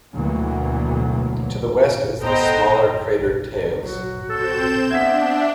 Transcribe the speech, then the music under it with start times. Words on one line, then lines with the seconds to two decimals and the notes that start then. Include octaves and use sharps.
To the west is the smaller crater Thales.
0.14 D2 B2 E3 F#3 A#3 B3
2.21 B3 A4 C5 D#5 G5 A#5
3.83 F#3 F#4
4.29 C4 A4 G6 E7
4.91 B3 D4 E5 G#6 B6